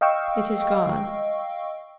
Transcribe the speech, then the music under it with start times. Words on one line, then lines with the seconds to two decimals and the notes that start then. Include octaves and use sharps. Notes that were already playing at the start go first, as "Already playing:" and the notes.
"It is gone."
0.01 D#5 F5 G5 C#6 E6